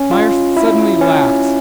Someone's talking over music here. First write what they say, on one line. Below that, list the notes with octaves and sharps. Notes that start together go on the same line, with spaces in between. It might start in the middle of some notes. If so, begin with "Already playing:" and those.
Myerst suddenly laughed.
Already playing: C#4
F4
E4
C#4